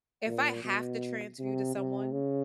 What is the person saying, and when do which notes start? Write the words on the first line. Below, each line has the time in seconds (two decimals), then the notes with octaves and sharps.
if I have to transfer you to someone,
0.27 A#2
0.64 B2
1.39 C3
1.75 C3
2.12 C#3